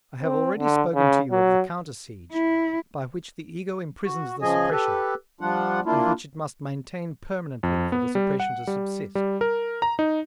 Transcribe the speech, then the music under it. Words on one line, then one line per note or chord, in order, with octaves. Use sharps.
I have already spoken to you of the counter siege by which the ego imprisons the suppression and which it must maintain permanently for the suppression to subsist.
C4
D3
C#3
F#3
E4
F#4
C#3 F3 G#4 D#5 G#5
G4 A4 B4
F3 G3 D4 F4 F#5
A#3 D4 E4 F4
F2
B3
G3
F#5
G3
G3
A#4
A#5
D#4